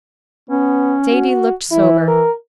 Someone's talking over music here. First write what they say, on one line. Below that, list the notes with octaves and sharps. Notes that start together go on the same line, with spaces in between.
Sadie looked sober.
B3 C#4
F#4
E3 E4
A#4